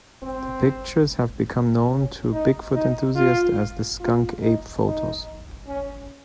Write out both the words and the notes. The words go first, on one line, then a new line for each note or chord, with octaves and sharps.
The pictures have become known to Bigfoot enthusiasts as the "skunk ape photos".
C4
C#4
D#4
D#4
F4
F4
D#4
D#4
C#4